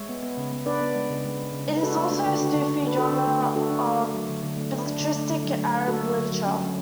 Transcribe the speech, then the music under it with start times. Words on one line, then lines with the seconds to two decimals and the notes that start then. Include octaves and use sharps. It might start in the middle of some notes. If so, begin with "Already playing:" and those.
It is also Sufi genre of belletristic Arab literature.
Already playing: G#3 C#5 E5
0.09 B3
0.23 B3
0.37 C#3
0.52 B3
0.66 D4 B4 D5
0.81 B3
0.95 G#3
1.10 C#3
1.25 G#3
1.39 G#3
1.53 C#3
1.68 G#3
1.77 B4
1.82 D4 F#4 A4
1.97 A3
2.11 D4 F#4
2.26 D3
2.40 D4 F#4
2.55 D3
2.69 D4
2.84 D3 B4
2.98 D4 F#4 A4
3.12 D3
3.27 A3
3.42 A3
3.56 D4 F#4 A4
3.71 D4
3.85 A3
3.99 A3
4.14 F#3
4.28 D3
4.43 D3
4.58 A3
4.72 D4
4.87 D4
5.00 D3
5.16 A3
5.29 D3
5.45 F#3
5.59 A3
5.74 A3
5.88 A3 F#4 A4
6.02 F#3
6.17 D3
6.32 F#3
6.46 C#4
6.60 F#3